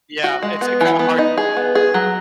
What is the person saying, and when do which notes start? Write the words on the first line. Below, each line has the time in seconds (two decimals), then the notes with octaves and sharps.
Yeah, it's, uh, kinda hard ha
0.24 F#4
0.43 G#3
0.61 B3
0.81 E3
0.99 B3
1.19 D#4
1.37 G#4
1.57 B3
1.75 G#4
1.94 F#3